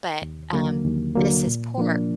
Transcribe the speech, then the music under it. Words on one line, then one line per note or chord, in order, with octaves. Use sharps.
but, um, this is por
D#2
D3 F#3 A#3
D#2
D3 F#3 A#3
A#2
F3 A#3 D4